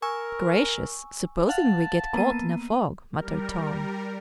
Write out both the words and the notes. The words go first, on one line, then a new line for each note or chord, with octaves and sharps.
"Gracious, supposing we get caught in a fog!" muttered Tom.
A#4 G#5 C#6 E6
F5 F#5 A5
A#3 B3 D#7
G3 A#4